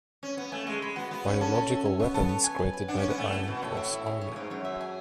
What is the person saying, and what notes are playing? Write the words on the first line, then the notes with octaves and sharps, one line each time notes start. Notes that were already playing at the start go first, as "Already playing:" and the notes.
Biological weapons created by the Iron Cross Army.
C#4 C#5
B3 C#5
A3 G#5
G#3 C#6
G#3 B5
B3 F#4
B3 B4
C#4 F#5
C#4 A4
A4
E5
G#5
B3 C#6
B3 A4
C#5
G#5
B4
B4
D4 F#5
C#4
C#6
B3
A3 G#5
E4
B2 B4
A2 E5
E5
E4
G#4
C#5
A2
G#2 C#5
F#2 C#5
E5
G#5